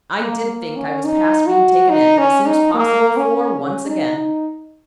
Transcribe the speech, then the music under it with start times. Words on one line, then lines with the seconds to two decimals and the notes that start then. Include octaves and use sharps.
I did think I was past being taken in, but it seems possible for once again.
0.20 A#3
0.48 A#3
0.76 C#4
1.05 D#4
1.47 F#4
1.89 D#4
2.18 C#4
2.47 D#4
2.74 A#3
3.17 C#4
3.61 C#4
3.88 D#4
4.17 D#4